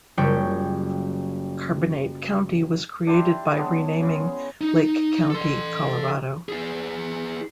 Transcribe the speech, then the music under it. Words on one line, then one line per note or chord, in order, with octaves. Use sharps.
Carbonate County was created by renaming Lake County, Colorado.
F#1 G3 F4 C#5 G5
D4 E4 G4 C6
C#3 G#3 B3 D4
C#3 G#3
D#4
A4 C6
E4 G#4